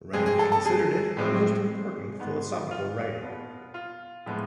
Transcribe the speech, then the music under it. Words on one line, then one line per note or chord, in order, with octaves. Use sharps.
Rand considered it her most important philosophical writing.
F2 C3 G#3 C4 G#4
G#4
A4
A4
G#4
A2 G#3 C4
G#2 G#3 B3
F4
B2 B3
F4
A2 F3 G#3 B3